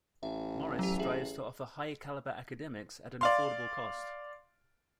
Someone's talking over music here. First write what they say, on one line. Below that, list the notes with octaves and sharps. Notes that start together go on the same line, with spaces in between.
Morris strives to offer high-caliber academics at an affordable cost.
A1 E5
F#3 G4
G#4 E5
D5 F5 C6